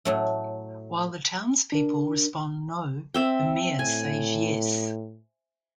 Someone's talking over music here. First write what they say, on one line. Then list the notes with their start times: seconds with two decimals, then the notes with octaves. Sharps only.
While the townspeople respond no, the mayor says Yes.
0.05 A2 F#3 A3
1.72 D4 A#4
3.14 C4 E5 G5
3.79 A2 G#5